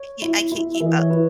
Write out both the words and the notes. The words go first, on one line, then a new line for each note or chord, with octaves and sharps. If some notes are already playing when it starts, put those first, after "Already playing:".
ca I can't keep up.
Already playing: C#5
E4
E4
E5
E3
D#5
C#5
E4 B4